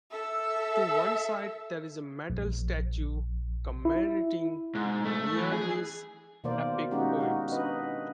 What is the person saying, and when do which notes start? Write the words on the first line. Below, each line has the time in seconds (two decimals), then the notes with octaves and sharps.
To one side, there is a metal statue commemorating Nizami's epic poems.
0.10 A4 E5
2.30 A#1
3.85 E4
4.75 G#2
5.05 A3
5.37 E3
5.53 G#4
6.44 B2 D#3 A#3 A#4 C5 D5
6.91 G#3 A#3 C#4 D#4 F#4 G4
7.20 D#4 F#4
7.52 D4 B4 D#5